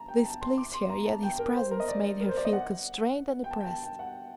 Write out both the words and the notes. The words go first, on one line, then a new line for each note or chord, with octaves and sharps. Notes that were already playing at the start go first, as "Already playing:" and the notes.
This pleased her, yet his presence made her feel constrained and oppressed.
Already playing: A5 A#5
G5
A#5
A5
C6
D6
C6
A#5
A5
G5
A#4
C5
A#4
D#5
D5
A#4
C5
D5
D#5
F#5
G5
A5
G5
A5
G5
F#5